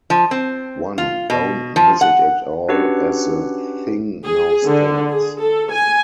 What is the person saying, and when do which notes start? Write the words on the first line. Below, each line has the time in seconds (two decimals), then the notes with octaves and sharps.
One don't miss it at all as the thing now stands.
0.10 F3
0.31 C4
0.98 F4
1.30 B2
1.76 F3
2.01 F#5
2.69 C#4 D4 F#4 G4 B4 F#5
4.24 G#4
4.66 D3
5.10 G#4
5.41 A4
5.70 G#5